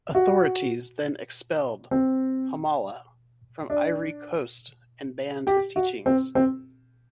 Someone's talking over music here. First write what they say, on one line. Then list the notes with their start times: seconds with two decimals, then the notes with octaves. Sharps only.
Authorities then expelled Hamallah from Ivory Coast and banned his teachings.
0.15 F#4
1.91 C4
3.70 D4
5.47 G4
5.76 F#4
6.06 C4
6.35 C4